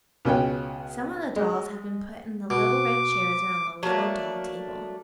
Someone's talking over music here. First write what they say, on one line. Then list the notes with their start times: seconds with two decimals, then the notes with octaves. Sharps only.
Some of the dolls had been put in the little red chairs around the little doll table.
0.25 C#2 B2 C#4 G5
1.36 G#3
2.50 B2 D6
3.83 F#3 A3 A#3 D4